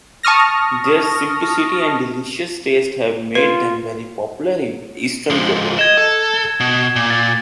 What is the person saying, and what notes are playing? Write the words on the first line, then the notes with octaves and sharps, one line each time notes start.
Their simplicity and delicious taste have made them very popular in Eastern Europe.
A5 C#6 D#6 F6 A#6
F4 B4
F3 G#3
D#5 G#6 E7
A4
B2
A#2
A6